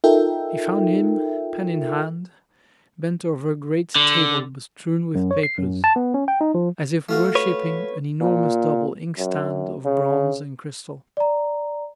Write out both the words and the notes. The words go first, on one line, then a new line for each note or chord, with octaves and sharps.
He found him, pen in hand, bent over a great table bestrewn with papers, as if worshipping an enormous double inkstand of bronze and crystal.
D#4 F4 A4 A#4 E5 G5
D3
F#2
C#5
C7
F#2
A5
B3
C#4
G5
D#4
F3
A3 F4 F#4
B4 C#5
A#2
F#2
C#3
D5 A#5